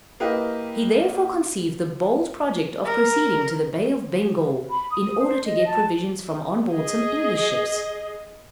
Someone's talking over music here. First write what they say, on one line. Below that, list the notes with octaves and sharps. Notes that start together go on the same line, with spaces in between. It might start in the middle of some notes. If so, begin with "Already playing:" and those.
He therefore conceived the bold project of proceeding to the Bay of Bengal, in order to get provisions from on board some English ships.
A#3 E4 G4 B4 D#5
A#4
B5
D#6
C5
D#5
A5
G#4 D#5